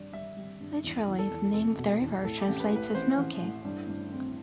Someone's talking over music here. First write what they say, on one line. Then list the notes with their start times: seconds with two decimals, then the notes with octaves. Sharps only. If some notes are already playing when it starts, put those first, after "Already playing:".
Literally the name of the river translates as Milky.
Already playing: G2 G3 D5
0.12 G3 E5
0.36 G3
0.61 G2
0.84 E2
1.07 E2
1.19 A4
1.30 E2
1.53 F1 A4
1.77 B2
2.01 E2
2.23 A2 A4
2.41 G4
2.48 A1
2.60 B4
2.70 A2
2.76 B4
2.95 A1 C5
3.18 A1
3.41 A2
3.65 G2
3.88 G2
4.12 C4